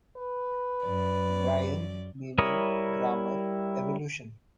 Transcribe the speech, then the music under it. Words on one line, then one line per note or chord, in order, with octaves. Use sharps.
Brain, Meaning, Grammar, Evolution.
B4
F#2 D5
G3 E4 A#4 C#5 D#6